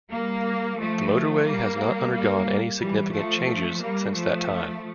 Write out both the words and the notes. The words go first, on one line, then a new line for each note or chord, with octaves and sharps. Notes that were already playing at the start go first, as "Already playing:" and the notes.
The motorway has not undergone any significant changes since that time.
G3 A#3
F3 A3
G3 A#3
G3 A#3
E3 G3
F3 A3
G3 A#3
F3 A3